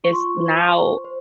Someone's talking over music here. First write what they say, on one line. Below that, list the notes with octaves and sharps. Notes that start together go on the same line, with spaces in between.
it's now
F4 C#6
C6
C#6
C5
C5
C5